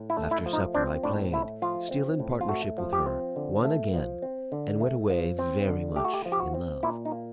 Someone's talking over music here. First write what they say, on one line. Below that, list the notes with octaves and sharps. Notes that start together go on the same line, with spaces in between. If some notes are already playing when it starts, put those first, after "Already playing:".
After supper I played, still in partnership with her, won again, and went away very much in love.
Already playing: A2
E4
A3
E4
F3
D#4
C4 D4
A2 D4
A3 E4
F3 F4
C4
A2
F4
A3 F#4
F3
G4
C4
D3
A3
F3
C4
D3
A3
F3
C4
D3
A3 G4
F#4
G4
F3
G4
F#4
C4
A#2 E4
D#4
A#3